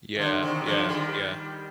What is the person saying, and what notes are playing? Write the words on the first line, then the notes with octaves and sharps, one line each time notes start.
Yeah, yeah, yeah.
D#3
D3
C3 D#3
D3 F3
D#3 G3